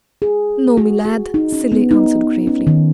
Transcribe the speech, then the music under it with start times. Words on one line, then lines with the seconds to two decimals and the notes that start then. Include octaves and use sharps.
"No, me lad," Cilley answered gravely.
0.22 G#4
0.77 F#4
1.05 F#4
1.34 D#4
1.52 C#4
1.72 B3
1.91 D#4
2.47 C#4
2.67 D#3